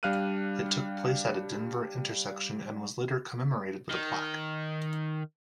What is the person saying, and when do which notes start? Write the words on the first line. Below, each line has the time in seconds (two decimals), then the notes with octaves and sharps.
It took place at a Denver intersection and was later commemorated with a plaque.
0.03 G3 D4 F5 F6 F#6 D#7
3.91 D#3